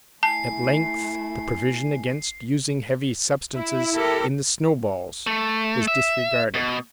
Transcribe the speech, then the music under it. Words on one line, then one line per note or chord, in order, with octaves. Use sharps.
At length the provision against using heavy substances in the snow-balls was disregarded.
A3 E4 G#5 A5 C7
E4
G4 A4 A#4
A3
E5
B2